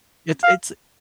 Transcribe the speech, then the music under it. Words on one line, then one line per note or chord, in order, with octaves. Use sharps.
it's it's
F5